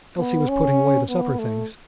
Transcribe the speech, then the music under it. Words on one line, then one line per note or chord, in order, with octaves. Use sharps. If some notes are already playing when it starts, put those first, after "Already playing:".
Elsie was putting away the supper-things.
B3
C#4
B3
A3